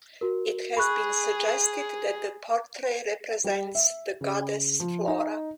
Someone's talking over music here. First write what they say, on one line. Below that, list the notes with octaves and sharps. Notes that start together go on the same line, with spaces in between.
It has been suggested that the portrait represents the goddess Flora.
F#4 A#4
G#4 B5 C#6 F#6
G3
E5
C#3
F3
D#4